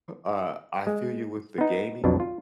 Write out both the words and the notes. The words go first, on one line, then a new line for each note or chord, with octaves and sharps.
uh, I feel you with the gaming.
G#3
B3 D#4
B1 F2 B2 D4
F4